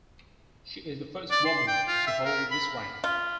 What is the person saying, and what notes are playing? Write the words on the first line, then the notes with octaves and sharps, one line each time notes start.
She is the first woman to hold this rank.
D5
C6
G5
F4
E5
A#4
B5
F4